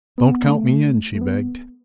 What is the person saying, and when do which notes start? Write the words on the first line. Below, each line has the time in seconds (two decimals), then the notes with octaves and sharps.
"Don't count me in!" she begged.
0.18 B3
0.44 A3
1.15 A3
1.21 B3